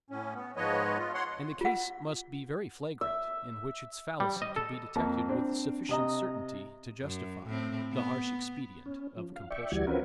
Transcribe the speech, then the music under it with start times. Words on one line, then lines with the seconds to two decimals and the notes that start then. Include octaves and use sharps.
And the case must be very flagrant in which its fallacy could be detected with sufficient certainty to justify the harsh expedient of compulsion.
0.10 A2 C#4
0.34 B3
0.56 G#2 F3 B3 B4 C#5 D#5
0.98 F4
1.14 C#5 F#5 C6
1.61 F4 F#5
3.01 E5
4.20 G3
4.42 D#5
4.56 A4
4.95 F2 A#3 A5
5.29 C4 D4
5.89 C3 D#5 A#5
7.01 F#2
7.47 A2 C4
7.92 B3
8.86 C#4
9.17 F3
9.36 F5
9.50 D5 E5 G5 C#6
9.72 D2 E3 G3 F#4 D5 G#6
9.87 C4 C#4 F4 F#4 A#4 B4